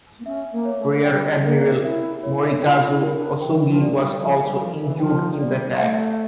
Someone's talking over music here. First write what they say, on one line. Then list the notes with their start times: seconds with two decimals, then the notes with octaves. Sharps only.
Rear Admiral Morikazu Osugi was also injured in the attack.
0.19 A#3
0.25 C#4 E5
0.52 A#3
0.65 C#5
0.78 A3
1.05 G3 G5
1.44 A#3 A#4
1.83 E4 E5
2.23 E4 C#5
2.62 F4 G5
2.89 E4
3.02 A#4
3.16 D4
3.41 E3 G5
3.67 F3
3.81 D5
3.94 G3
4.20 F3 A4
4.40 G3
4.60 F3 A4
4.79 E3
4.99 F3 G5
5.39 G3 D5
5.78 A3 A4